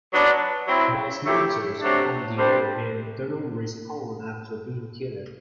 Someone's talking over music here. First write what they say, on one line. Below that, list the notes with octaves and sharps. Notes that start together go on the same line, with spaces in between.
Boss monsters, on the other hand, do not respawn after being killed.
F#3 B3 D4
F#3 C4 E4
F#3 A3 E4 G4
C3 F#3 A3 D4
C3 G3 D4 G4 C5